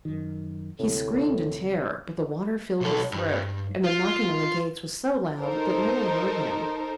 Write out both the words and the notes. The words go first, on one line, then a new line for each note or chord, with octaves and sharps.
He screamed in terror, but the water filled his throat and the knocking on the gates was so loud that no one heard him.
F#2 D#3
D2 A2 C3
B1 A4
G2
F4
D#4 A4 A#4 C5